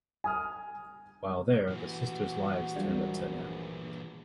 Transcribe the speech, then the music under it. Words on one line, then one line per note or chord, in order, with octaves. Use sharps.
While there, the sisters' lives turn up-side down.
G#5 D#6 F6
A#2 E3 F#4
A#1 F#3 G3 D5